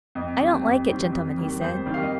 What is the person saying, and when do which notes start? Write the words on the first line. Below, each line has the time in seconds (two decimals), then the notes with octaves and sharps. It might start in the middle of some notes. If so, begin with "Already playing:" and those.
'I don't like it, gentlemen,' he said.
0.15 F2 D#5
0.40 D#3 G3 C4
0.64 F2
0.88 D#3 G3 C4
1.12 F2
1.37 D#3 G3 A#3
1.61 F2 C5
1.86 D#3 G3 A#3
1.94 F5
2.02 D#5